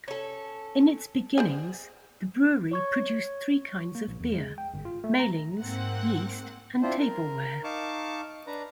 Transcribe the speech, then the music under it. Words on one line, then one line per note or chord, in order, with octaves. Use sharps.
In its beginnings, the brewery produced three kinds of beer: mailings, yeast and tableware.
C#4 A4
C5 D5 G#5
C#5 C#6 G#6
A#3
A#1
E2
G#3
G5
G1
F4
A3
A#5
G#2 A#3 C4 F#5
C4 D4 E4 F4 C5
A#4
D#4 F5 A5 C#6 D6
D4 B4 A#5